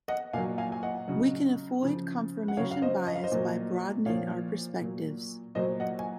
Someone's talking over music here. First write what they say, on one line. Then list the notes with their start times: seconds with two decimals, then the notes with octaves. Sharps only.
We can avoid confirmation bias by broadening our perspectives.
0.08 D#5 F#5
0.33 A#2 F5 G#5
0.38 F#3
0.58 F5 G#5
0.72 G#5
0.83 D#5 F#5
1.08 C#3 F#3
1.83 C#3 F3
2.48 F#5
2.57 C#3 C#5 F5
2.61 F#3
2.71 F5
2.82 C5 D#5
3.07 D#5
3.15 F5
3.24 C5 D#5
3.32 A#2 F#3
4.06 A#2 F3 C#5 F5
4.81 A#2 F#3
5.55 A#2 F#3 C5 D#5
5.80 D#5 F#5
5.99 G#5